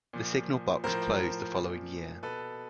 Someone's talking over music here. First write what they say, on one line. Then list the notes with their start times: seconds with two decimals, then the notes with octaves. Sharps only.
The signal box closed the following year.
0.13 A#2 F3
0.84 A2 F3 A#4 C5
1.54 A#2 F3
2.23 B2 A4 B4